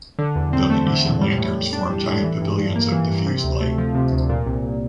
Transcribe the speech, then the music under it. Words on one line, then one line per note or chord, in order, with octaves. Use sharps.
The Venetian lanterns formed giant pavilions of diffused light.
D3
E2
C4
A3
D3
E2
G3
A2
A2
D4
G3
A2
E3
G2
G2
A#3
E3
G2
C3
D2
A3
F3
C3
D2
A#2
C2